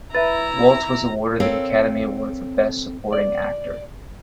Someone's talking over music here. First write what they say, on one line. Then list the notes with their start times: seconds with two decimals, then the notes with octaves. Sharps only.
Waltz was awarded the Academy Award for Best Supporting Actor.
0.15 E4 B4 E5 A#5 A6
1.40 C4 A4 A#4 C#5 F5
3.13 D5